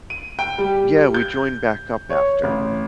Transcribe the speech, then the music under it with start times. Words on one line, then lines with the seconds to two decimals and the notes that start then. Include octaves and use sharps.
Yeah, we joined back up after.
0.10 D#7
0.39 G5
0.58 G3
1.14 G6
2.10 C#5
2.43 A1